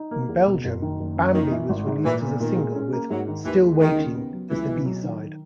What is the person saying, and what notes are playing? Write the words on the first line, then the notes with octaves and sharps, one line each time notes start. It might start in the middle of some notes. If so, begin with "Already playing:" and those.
In Belgium, "Bambi" was released as a single with "Still Waiting" as the B-side.
Already playing: D#4
A#3
E2
B2
F#1
D#3
F#1
F#2
D#3 A#3
E3
G#1
G#2
A#2 E3
B3
A#2 D#3
G#3
C#4
A#3
G#2 F#3
D#3
D#2 E3
G#3
D#2 D#3
C#3
B3
F#3
C#2 E3
B2
F#3
D#3